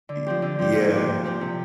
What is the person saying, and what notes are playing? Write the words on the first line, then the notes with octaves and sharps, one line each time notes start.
Y yeah.
D3
F3 C4 G4
D3
F3 C4 G4
A#2
F3 C4 G4
A#2
F3 C4 G4
C3